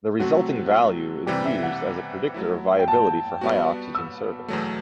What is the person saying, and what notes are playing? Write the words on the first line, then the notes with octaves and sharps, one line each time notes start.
The resulting value is used as a predictor of viability for high-oxygen service.
C3 F#3 A3 C4 F#4
C3 E3 G3 G4
E5
F#5
F#3 A3 E4
G5
A5
G3 B3 F#4
E6
E2 B2 F#3 A3